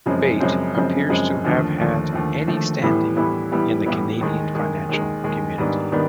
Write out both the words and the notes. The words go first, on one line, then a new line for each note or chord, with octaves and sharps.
Bate, appears to have had any standing in the Canadian financial community.
F#2 C#3 F3 G#3 C4
F#2 C#3 F3 G#3 C4
F#2 C#3 F3 G#3 C4
F#2 C#3 F3 G#3 C4
D#2 D3 F3 A3
D#2 D3 F3 A3
D#2 D3 F3 A3
D#2 D3 F3 A3
A2 E3 G3 B3 E4
A2 E3 G3 B3 E4
A2 E3 G3 B3 E4
A2 E3 G3 B3 E4
D#2 D#3 G#3
D#2 D#3 G#3
D#2 D#3 G#3
D#2 D#3 G#3
G#2 D#3 G3 B3 D4
D#3 G3 B3 D4